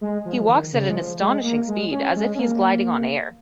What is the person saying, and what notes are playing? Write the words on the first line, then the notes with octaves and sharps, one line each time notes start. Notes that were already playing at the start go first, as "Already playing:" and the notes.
He walks at an astonishing speed, as if he is gliding on air.
G#3
F3
G#3
F3
D#3
C#3
G#3
F3
G#3
A#3
G#3
C#4
G#3
C#4
A#3